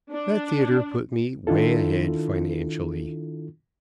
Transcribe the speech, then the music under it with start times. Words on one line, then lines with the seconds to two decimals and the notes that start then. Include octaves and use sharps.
That theatre put me way ahead financially.
0.11 D4
1.47 D#3 D4 E4 F4 A4